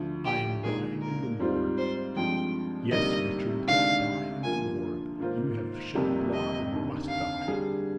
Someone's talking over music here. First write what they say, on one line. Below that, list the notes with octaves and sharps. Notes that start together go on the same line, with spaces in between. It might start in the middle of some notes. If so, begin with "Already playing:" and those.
I am dying in the Lord.' 'Yes, Richard, die in the Lord; you have shed blood and must die.
Already playing: D2 D3 F3
G4
A#2 G#3 D#4 G#4
A#4
G#2 G3 C4 F4 C5
C5
G2 F3 G#3 C4 G5
D2 C3 G3 A#3 D#4 D#5
D2 C3 D#3 G#3 D4 F5
D3 F3 A#3 F4 G#5
G#2 D#3 A#3 F4 C5
F1 F2 C3 G3 A#3
D#5
F1 D#2 D3
F5
D3 G3 D4 G#4